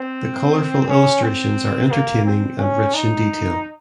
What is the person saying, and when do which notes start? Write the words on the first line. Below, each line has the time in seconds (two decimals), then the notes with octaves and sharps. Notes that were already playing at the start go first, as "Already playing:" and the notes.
The colorful illustrations are entertaining and rich in detail.
Already playing: C4
0.88 C#4
1.22 C4
1.91 A#3
2.25 C4
2.59 C#4
2.94 D#4